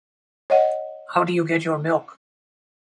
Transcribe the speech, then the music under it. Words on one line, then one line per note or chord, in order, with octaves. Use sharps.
How do you get your milk?
C#5 D#5 F#5